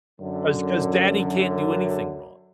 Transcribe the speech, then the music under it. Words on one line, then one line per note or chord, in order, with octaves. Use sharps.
'cause 'cause daddy can't do anything wrong.
F#2 D3